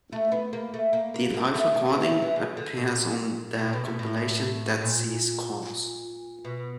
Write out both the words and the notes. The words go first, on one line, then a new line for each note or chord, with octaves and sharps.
The live recording appears on their compilation Dead Sea Scrolls.
A3
B3
A#3
A3
A#3
A#3
A#3
A3
D#3
E3
D#3
E3
C#3
D3
A#2
A#2
B2
B2
A2
A#2
B2